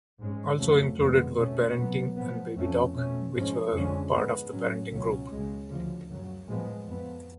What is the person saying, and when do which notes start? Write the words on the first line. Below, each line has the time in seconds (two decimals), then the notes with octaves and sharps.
Also included were "Parenting" and "Babytalk", which were part of the Parenting Group.
0.19 G#2 G#3 C#4
0.59 F2 C#3 F#3 A3
0.98 F2 D3 G#3 B3
1.37 B2 A3 C#4
1.76 B2 F#3 B3
2.16 A2 F3 B3
2.55 F2 F3 A3 C#4
2.94 B2 A3 C#4
3.34 G#2 F3 G#3 C#4
3.73 F2 D3 F3 G#3 C#4
4.12 G#2 G#3 B3
4.51 A2 F#3 C#4
4.91 C#2 B2 F#3 C#4
5.30 C#2 C#3 G#3
5.69 D2 C#3 F3
6.09 F#2 C#3 F#3
6.48 A2 F3 G#3 B3
6.87 F2 F3 B3